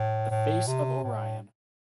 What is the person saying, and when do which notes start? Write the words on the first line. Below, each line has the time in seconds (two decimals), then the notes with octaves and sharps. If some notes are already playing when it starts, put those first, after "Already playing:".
The face of Orion.
Already playing: A2
0.31 A2
0.67 C3
1.04 A2